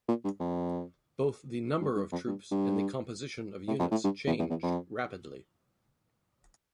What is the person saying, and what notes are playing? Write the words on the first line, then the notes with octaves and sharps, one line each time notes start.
Both the number of troops and the composition of units changed rapidly.
A#2
G2
F2
G2
G2
F2
G2
G2
A2
F2
A2
G2
E2
E2
E2
F2